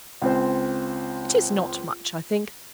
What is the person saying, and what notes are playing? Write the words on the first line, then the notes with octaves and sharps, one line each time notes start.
'It is not much, I think.
C#2 C4 C5